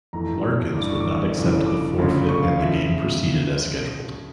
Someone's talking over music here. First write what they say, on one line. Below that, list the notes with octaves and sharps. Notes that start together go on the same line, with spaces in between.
Larkins would not accept the forfeit and the game proceeded as scheduled.
F1 F2 E3 A3 A#5
G1 G2 E3 D6
C#6
D6
C#6
G1 F2 C#3 E3
D6
D2 C#3 F3
C#6
F5
C#3 F3 E5